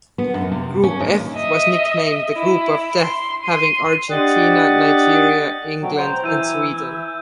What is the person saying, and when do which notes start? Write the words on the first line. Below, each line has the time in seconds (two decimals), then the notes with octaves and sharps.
Group F was nicknamed the "Group of Death", having Argentina, Nigeria, England, and Sweden.
0.18 B3
0.34 F#2
0.52 C3
0.83 C#4
1.00 D#2
1.35 D#5 E5
2.34 E4
2.97 C6
3.44 C6 D#7
4.10 D4 G4 D#5 F#5 A6
5.82 B2 F#3 G5
5.98 C5 A#5
6.24 E3 E4 E6 G6 D#7